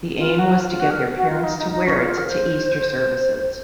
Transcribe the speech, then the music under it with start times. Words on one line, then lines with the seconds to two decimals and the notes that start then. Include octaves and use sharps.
The aim was to get their parents to wear it to Easter services.
0.18 F4
0.39 F#4
0.59 F4
0.70 F4
0.80 F#4
0.91 A#4
1.16 F#4
1.30 F4
1.43 D#4
1.58 D#4
1.71 D#4
1.86 C#4
1.96 F4
2.07 F4
2.18 A#4
2.27 C5